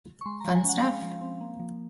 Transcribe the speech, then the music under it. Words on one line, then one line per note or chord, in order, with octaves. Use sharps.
Fun stuff.
C#6
G#3 C6
F3 A#5
G#5
C#4 F#5
G#3 F5
F3
C4
A#3
F3